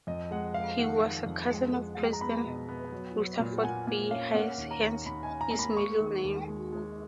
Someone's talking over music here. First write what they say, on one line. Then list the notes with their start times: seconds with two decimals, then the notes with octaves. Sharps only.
He was a cousin of President Rutherford B. Hayes, hence his middle name.
0.07 F2 D#5
0.31 G#3 F#5
0.54 G#3 F5
0.78 D#3 F#5
1.02 D#3
1.26 F2
1.50 G#3
1.74 G#3
1.97 G#3
2.13 A#5
2.21 B3 B5
2.45 B2
2.69 B3
2.92 F#3
3.17 F#3
3.39 A#2
3.58 F#5
3.63 A#3 G#5
3.87 A#3 G#5
4.11 C#4 F5
4.34 A#3 F#5
4.58 D#2
4.71 A#5
4.82 D#2
5.06 D#2 B5
5.23 G#5
5.29 C#4
5.41 A#5
5.51 A#5
5.54 A#3
5.59 B5
5.77 G#3 C#6
6.00 D#3
6.24 D#2
6.48 G#3
6.72 G#3